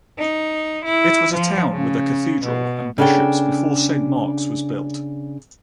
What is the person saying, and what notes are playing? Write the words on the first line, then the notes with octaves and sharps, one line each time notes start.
It was a town with a cathedral and bishops before Saint Mark's was built.
D#4
E4
F3
C#3
B2
C#3 B3 D4 A4 D#5 G5